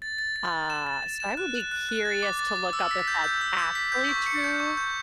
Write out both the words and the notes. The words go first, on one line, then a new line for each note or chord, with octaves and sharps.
uh, so I would be curious to look up if that's actually true,
A6
A6
A6
A6
E7
A6
A6
E7
F#6
F#6
F#6
F#6
A6
D6
A6
D6
E6
B6
G6
G6
E6
G6
B6
G6
C#6
C#7
G6
C#6
G6